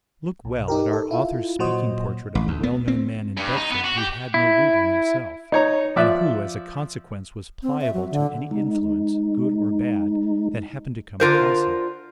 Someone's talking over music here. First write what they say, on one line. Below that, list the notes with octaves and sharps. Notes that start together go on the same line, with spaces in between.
Look well at our author's speaking portrait of a well-known man in Bedford who had no root in himself, and who, as a consequence, was pliable to any influence, good or bad, that happened to come across him.
B1
D#4 G4 A#4
A4
E4 F4
A#2 F#3 F#4 C5 D#5
A1
D2
B3
C4
G2
D#4
B3
F#4
G4
E4
D#4 C#5 A#5
F3 D5 E5 F#6
C4
E5
F#3
D3
G#3 D#4
D3 F4 A#4 C5